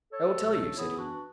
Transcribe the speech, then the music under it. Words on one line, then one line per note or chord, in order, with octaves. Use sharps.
"I will tell you," said he.
A4 C#5
C#2 B2 F#3
F#2 E3 B3 E4 G#4
D4 F#4